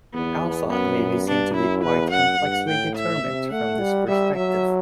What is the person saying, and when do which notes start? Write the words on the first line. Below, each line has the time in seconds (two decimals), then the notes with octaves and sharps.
Alpha may be seen to be quite complexly determined from this perspective.
0.14 E2 B3
0.70 F#2 B3
1.26 G2 D4
1.54 F#2 E4
1.83 E2 B4
2.10 F#2 F#5
2.39 G2
2.68 A2 G5
2.96 E5
3.23 C3
3.52 A3 F#5
3.79 G3
4.08 G3 E5
4.35 F#3 E5